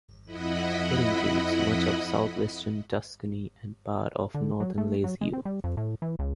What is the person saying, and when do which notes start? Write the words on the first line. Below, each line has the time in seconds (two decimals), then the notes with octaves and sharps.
It includes much of south-western Tuscany and part of northern Lazio.
0.25 F2 E4 D#5 F#5 B5
4.34 D3
4.60 F#3
4.78 A3
5.04 F#3
5.21 G#3
5.33 C4
5.45 G3
5.64 F2
5.77 A2
6.02 E3
6.19 C#2